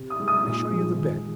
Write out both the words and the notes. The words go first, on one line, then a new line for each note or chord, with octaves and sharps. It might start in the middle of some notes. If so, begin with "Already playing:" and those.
I show you the bed.
Already playing: C3
D#6
G#3
D#6
A#2
F3 G#3
D#3